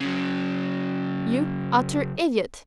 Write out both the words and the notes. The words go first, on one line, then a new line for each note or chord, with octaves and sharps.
You utter idiot!
C#3 F#3